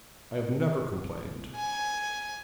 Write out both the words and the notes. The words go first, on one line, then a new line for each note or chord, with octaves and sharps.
I have never complained.'
G#5